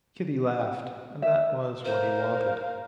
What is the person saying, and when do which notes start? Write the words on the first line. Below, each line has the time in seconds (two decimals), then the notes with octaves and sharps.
Kitty laughed; and that was what he wanted.
1.22 E5
1.85 A#4 C5 F5